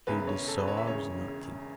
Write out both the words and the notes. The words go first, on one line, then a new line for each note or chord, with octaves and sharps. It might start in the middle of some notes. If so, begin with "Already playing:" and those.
He deserves nothing.
E1 E2 C#3 B4
C#5
A4
B4
C#5
E5
E1 E2 C#3 C#5